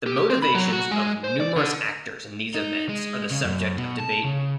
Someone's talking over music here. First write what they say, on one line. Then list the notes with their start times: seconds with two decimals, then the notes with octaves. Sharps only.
The motivations of numerous actors in these events are the subject of debate.
0.06 G4
0.30 C4
0.42 B5
0.55 F#3
0.72 F#4
0.91 G#3
1.24 C5
1.40 D5
1.56 D3
2.54 D#4
2.89 G#3
3.31 C#3
3.45 F#2
3.77 B2
4.00 A5
4.24 C#3